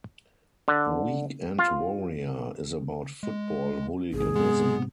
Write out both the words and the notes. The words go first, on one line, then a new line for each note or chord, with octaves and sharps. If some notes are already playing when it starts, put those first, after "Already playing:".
"Weekend Warrior" is about football hooliganism.
D3
F4
G#3
A1 G#2 C3 G#4
G#3 B3